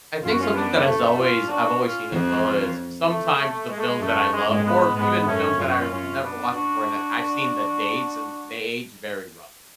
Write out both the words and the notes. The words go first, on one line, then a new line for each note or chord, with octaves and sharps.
I think something that has always I've always seen as well is, sometimes the films that I love or even films that I've never watched before, and I I've seen the dates and they age very roughly.
F#2 F4
F#4
C#4 F4
B3 D4
A3
C#4 F4
D4 F#4
C#4 F4
F2
C#4 F4
A3
A3
G#3
A3
G#3
F#2 A3
G#3
G#2 G#3
G#3 B3
G#2 G#3 B3
F#2 A3 C#4
F#2 F4
F#4
C#4 F4
C#4 F4
B3 D4
D4 F#4